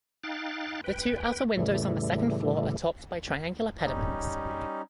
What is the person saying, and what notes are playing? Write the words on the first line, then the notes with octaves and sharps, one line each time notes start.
The two outer windows on the second floor are topped by triangular pediments.
D#4 F5 G5 F#6 A6
B4 G5
A2 C#3 E3 G3 A3
G3 C#4 D#4